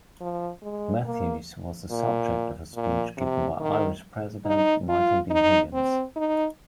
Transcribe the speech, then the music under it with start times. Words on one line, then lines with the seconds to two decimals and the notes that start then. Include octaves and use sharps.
Matthews, was the subject of a speech given by Irish President Michael D. Higgins.
0.21 F3
0.62 G#3
1.05 A#3
1.90 A#2
2.75 A#2
3.17 C3
3.60 D#3
4.45 D#4
4.89 F4
5.30 D#4
5.73 C4
6.16 D#4